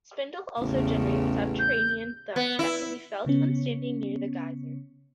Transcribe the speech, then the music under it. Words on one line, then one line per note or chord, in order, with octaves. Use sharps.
Spindle also generates subterranean thumps that can be felt when standing near the geyser.
A1 E2 C#3
G6
B3
E4
C#3 B3 C#4